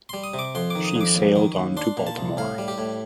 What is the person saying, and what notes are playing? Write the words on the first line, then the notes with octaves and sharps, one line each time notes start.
She sailed on to Baltimore.
G3 C6
D#6
C3
D6
F2 C6
D#3 D6
D#6
F2
D6
D#2
D#3
D#2
D4 C6
A#2
A5
C2
A2 F5
G3
G4
A2